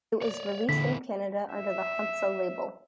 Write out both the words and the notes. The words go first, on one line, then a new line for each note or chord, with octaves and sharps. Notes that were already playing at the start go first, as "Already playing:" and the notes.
It was released in Canada under the Hansa label.
C#5 D5
E2 A#2 D3 E4 B6
E5